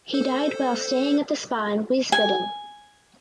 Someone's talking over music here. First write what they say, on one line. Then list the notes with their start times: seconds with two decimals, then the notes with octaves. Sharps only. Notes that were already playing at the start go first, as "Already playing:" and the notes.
He died while staying at the spa in Wiesbaden.
0.14 A4 C5
2.12 G#5